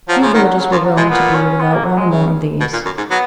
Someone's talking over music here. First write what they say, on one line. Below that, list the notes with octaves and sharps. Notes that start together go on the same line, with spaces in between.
Few villages were willing to be without one or more of these.
F3 F#3
C#3 F3
D#3 F#3
C#3 F#3
F#2 F3
F#3
B2 G#3
A#2 B3
C#4
B3
A#3
F#3
G#3
C#3
B2
A#2
F#2
G#2
F#3 B3